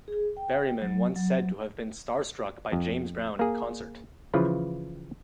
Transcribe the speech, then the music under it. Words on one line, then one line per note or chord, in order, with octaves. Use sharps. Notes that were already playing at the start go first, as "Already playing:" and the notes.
Berryman once said to have been starstruck by James Brown in concert.
G#4
G5
F#3
F#3
F2
A#3 G#4
C#3 E3 F3 F4 B4